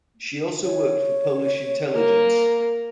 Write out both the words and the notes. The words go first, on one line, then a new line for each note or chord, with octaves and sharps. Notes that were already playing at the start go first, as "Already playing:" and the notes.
She also worked for Polish intelligence.
C#5
A#3